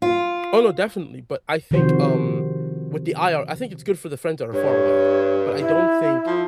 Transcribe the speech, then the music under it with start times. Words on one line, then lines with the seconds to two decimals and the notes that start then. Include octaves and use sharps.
Oh, no, definitely, but I think, um, with the IR I think it's good for the friends that are far away. But I don't think,
0.02 F4
1.71 C3 D#3 F3 F#4 C5
4.53 G2 C#5
5.60 E4
6.27 F3